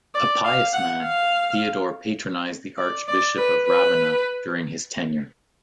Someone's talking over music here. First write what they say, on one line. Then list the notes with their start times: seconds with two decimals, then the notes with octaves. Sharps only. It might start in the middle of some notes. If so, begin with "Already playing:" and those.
A pious man, Theodore patronized the Archbishop of Ravenna during his tenure.
0.15 D5
0.44 F5
0.73 F#5
1.03 F5
2.78 D5
3.08 D5
3.37 B4
3.66 B4